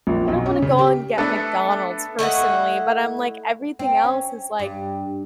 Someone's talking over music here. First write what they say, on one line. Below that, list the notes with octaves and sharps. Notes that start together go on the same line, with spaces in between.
I don't wanna go and get McDonald's, personally. But I'm, like, "Everything else is, like
A#1
B1
C#4
C#3
G4
A3 B3 D4 A4 B4
A3 E4 D#5 F#5
C4
C#4
G2